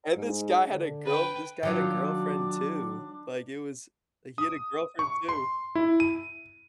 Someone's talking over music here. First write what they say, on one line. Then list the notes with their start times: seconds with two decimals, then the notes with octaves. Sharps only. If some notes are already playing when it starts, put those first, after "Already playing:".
And this guy had a girl this guy had a girlfriend too. Like, it was like, he had a girlfriend too.
0.16 G#2
0.71 D3
1.05 B4 G5
1.63 D#3 F#3 D4 F4
4.38 D#6
4.99 C#6
5.29 C6
5.75 E4
6.00 D#7